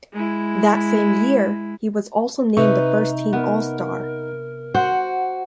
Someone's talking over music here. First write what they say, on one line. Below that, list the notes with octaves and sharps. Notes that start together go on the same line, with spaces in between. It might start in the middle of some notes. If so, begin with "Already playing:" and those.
That same year, he was also named a First Team All-Star.
G#3 E4
C3 D#4 B4 E5 C#6
B3 A#4
F#4 C5 F#5